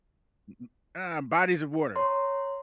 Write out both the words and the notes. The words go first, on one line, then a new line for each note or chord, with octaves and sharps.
Mm-mm, um, bodies of water,
C#5 A#5 C6